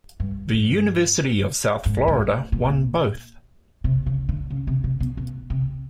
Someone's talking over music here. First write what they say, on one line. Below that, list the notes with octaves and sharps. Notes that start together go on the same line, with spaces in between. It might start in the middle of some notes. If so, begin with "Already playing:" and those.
The University of South Florida won both.
G2
G2
G#2
A2
A#2
C3
C#3
D3
C#3
C3
C3
B2
B2
C3